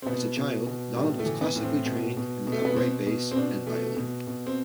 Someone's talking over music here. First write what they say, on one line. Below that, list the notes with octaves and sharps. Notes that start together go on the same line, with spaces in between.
As a child, Donald was classically trained in the upright bass and violin.
C4
B2 B3
B2
B2
A2 G3
A3
E3
B3
A2
C4
B2
B2
B2
A3
B3
B2 C4
B2
C4
B2 D4
B2 A3
B2
B2
C4